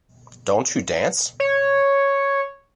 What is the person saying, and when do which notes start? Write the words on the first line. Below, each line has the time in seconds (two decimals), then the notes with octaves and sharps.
Don't you dance?
1.40 C#5